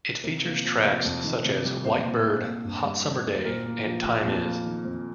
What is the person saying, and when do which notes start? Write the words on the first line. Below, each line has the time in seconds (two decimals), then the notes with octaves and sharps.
It features tracks such as "White Bird", "Hot Summer Day", and "Time Is".
0.24 C3 A#4
0.45 A#3
0.65 F3
0.85 C3
1.05 F2
1.24 D#3
1.45 C3
1.64 G3
1.85 A#2 C5
2.04 A#2
2.24 A#3
2.45 A#3
2.65 G2
2.85 G3
3.05 D#3
3.25 A#3
3.33 C5
3.45 A#2 A#4
3.65 A#3
3.85 F3
4.06 A#2
4.25 F2
4.45 A#3
4.65 D#3
4.85 F2